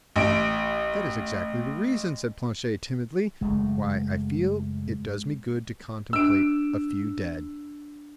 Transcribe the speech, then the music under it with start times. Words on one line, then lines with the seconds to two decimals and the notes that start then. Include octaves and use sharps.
"That is exactly the reason," said Planchet, timidly, "why I feel it does me good to contemplate a few dead."
0.16 A1 D7
3.41 F#1 F#2 G#3 A3
6.13 D4 E6 D7